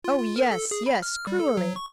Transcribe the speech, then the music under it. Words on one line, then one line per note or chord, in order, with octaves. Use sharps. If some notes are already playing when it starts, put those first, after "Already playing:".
"Oh, yes, yes, cruelly!"
F4
F4
A#4
A4
G#4
B5
F6
G3
A4
F#3
C#6